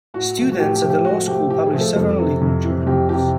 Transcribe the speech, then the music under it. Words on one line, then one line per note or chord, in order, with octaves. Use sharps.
Students at the Law School publish several legal journals.
A2 F#4
F3 A3
F#4
A2 G4
G4
F3 A3
G4
A2 F#4
F3 A3 G4
A2 G4
G#4
F3 A3
A4
F2 A4
C3 E3
F2
C3 E3
F2 G4
C3 E3 G4